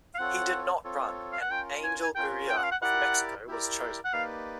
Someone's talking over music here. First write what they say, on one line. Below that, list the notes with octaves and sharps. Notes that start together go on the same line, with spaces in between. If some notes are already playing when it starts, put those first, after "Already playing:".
He did not run and Angel Gurria of Mexico was chosen.
F5
C4 F4 A4 C#5 F#5
C4 F4 A4 C#5
F5
F#5
C#4 F4 A#4 G5
G#5
G#5
C#4 F4 A#4 G5
G5
F#5
F5
F#5
E4 G4 A#4 D5 F#5
E4 G4 A#4 D5
F#5
A#3 D#4 G4 B4 D5 F5